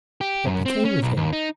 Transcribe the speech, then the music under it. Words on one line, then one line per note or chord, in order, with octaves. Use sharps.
What became of him?
G4
F#2
C4
C#4
B1
D#2
D#4